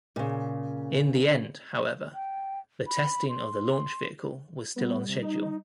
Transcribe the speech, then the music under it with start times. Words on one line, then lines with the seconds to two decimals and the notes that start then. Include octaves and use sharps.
In the end however the testing of the launch vehicle was still on schedule.
0.16 A#2 C#3
2.14 G5
2.87 B5
3.29 C6
4.76 G3 B3
5.09 C3
5.22 D#4